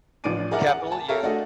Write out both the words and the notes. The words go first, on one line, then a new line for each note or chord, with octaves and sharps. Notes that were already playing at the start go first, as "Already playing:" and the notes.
capital U,
A1 F3 D4 D6 D7 D#7
G#4 A#4 D5 E5 F#5 A#5
G#4 F#5
G#5 A5
G4 A4 A#4 C#5 E5 F5
A3 D4 F#4 A4 D#5